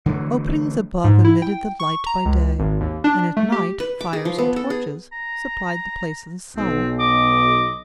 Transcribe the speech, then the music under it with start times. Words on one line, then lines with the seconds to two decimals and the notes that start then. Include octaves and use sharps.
Openings above admitted the light by day, and at night fires and torches supplied the place of the sun.
0.06 D3 E3 F#3 A3
1.04 G#2
1.24 E4
1.42 G5
1.80 C#6
2.06 A#5
2.25 C#2
2.59 G#1
2.81 D#2
3.04 D4
3.37 A3
3.52 G4
3.80 B4
4.01 D6
4.13 G#4
4.25 F3
4.38 B3
4.56 A4
4.70 G#4
5.12 A#5
6.57 B1 C4
6.99 D#5 D6